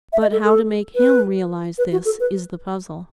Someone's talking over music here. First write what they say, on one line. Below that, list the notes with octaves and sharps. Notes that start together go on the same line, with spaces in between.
But how to make him realise this, is the puzzle.
E5
D#5
A4
A4
B4
B4
F#4
A4
B4